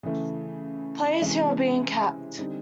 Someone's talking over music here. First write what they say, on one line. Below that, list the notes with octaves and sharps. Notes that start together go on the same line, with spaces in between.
"Players who have been capped".
C#3 E3 A3
C3 E3 G#3 C#4
D3 G3 C4 D#4